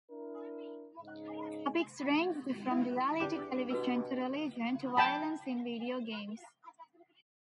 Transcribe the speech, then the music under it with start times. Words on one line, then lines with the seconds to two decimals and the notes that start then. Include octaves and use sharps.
Topics ranged from reality television to religion to violence in video games.
0.11 D4 E4 A#4
1.01 G#2 C#3 D#4
2.71 E4 E5
3.20 E2 D4 G4 D6
3.70 B2 F#4 B4 E6
4.97 G5 A5 B5